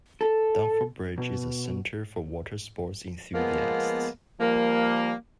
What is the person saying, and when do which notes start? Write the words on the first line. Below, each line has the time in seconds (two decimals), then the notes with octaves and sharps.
Dunford Bridge is a centre for watersports enthusiasts.
0.21 A4
1.18 B2
3.33 F3 G#3 A#3 B3
4.40 F3 G3 A#3